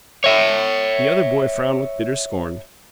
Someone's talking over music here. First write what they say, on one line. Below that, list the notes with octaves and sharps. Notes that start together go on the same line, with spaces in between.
The other boy frowned with bitter scorn.
C#5 E5